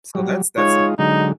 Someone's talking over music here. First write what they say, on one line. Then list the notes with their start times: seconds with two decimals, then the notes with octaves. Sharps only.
so that's that's
0.15 F#3 G3
0.58 G#3 D#4 F4 C#5
0.99 D3 F#3 G#3 D#4